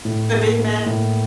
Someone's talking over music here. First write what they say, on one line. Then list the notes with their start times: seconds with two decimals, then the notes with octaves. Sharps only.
The Big Mac?
0.05 A2
0.32 A#3
0.59 A#3
0.86 A2